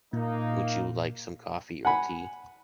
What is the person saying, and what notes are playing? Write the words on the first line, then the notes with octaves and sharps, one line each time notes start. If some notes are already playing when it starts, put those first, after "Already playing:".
Would you like some coffee or tea?
A#2 A#3 D#4
F#5 G#5 B5